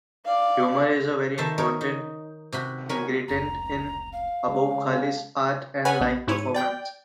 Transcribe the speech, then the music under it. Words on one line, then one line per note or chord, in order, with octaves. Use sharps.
Humor is a very important ingredient in Abou-Khalil's art and live performances.
D5 F5
D#3 A3 C5 E5 A5
D#4 A#4 C#5
D#4
C3 F#4 B5
A#4 C#5 G#5 B5
F1 C#2 A#5
F5
C#3 G#3
B4 C#5 F#5 G#5 B5
A#1 B3
G#2 E4 C#5 D#7
D5 G5 G6